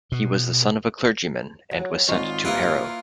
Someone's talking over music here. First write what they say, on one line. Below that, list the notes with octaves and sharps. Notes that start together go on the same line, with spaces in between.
He was the son of a clergyman and was sent to Harrow.
B2
F#3
G#1 G#2 F4 D#5 C#6
G3 A#3 E4 B4 D7